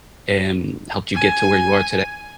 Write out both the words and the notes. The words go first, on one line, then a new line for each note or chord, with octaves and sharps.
em, helped you get to where you are today
G#5